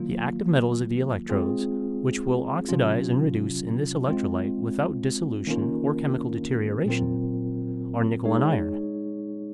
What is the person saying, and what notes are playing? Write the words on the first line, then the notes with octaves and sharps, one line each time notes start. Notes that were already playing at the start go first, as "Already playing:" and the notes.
The active metals of the electrodes--which will oxidize and reduce in this electrolyte without dissolution or chemical deterioration--are nickel and iron.
Already playing: D#3 F#3 A#3 F4
G#3 C4 F4 G#4
C3 F#3 C#4 F4
G#3 C4 F4
D#3 A#3 C#4 F4 A#4
A#2 F#3 C4 F4 A#4
G#3 D#4 G#4 C#5